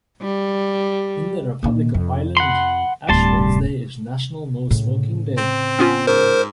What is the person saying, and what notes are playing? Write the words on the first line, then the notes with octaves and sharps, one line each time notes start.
In the Republic of Ireland, Ash Wednesday is National No Smoking Day.
G3
A#2 D#3
F2
F#5 B5 C6
D1 G2 G3 A5 C6
A2 C#3
C4
B3 C#4 F4
G#2 A#4 C5